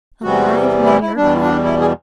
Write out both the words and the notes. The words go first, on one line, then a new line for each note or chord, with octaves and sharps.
A live manure-cart?
E2 C3 E3 G3 F#4
E4
E4
E2 B2 G3 D4
D4
E4
G#4